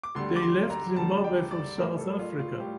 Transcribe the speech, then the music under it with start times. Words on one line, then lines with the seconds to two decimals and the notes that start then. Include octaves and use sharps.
They left Zimbabwe for South Africa.
0.03 D6
0.15 D2 D3 G3 C6
0.36 D6
0.42 C6
0.70 A#5
0.96 D2 D3 G3 A5
1.24 G5
1.51 D5
1.78 A2 G3 A#4
1.99 A4
2.19 F4
2.39 F4
2.60 A2 G3 G4